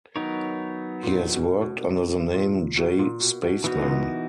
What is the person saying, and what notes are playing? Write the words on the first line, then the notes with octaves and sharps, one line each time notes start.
He has worked under the name J. Spaceman.
D#3 F#3 B3 D#4 A#4 C#5
A#2
B2
B2
A#2
B2
A#2
B2
B2
B2 E3 B3 D#4 F#4
A#2
B2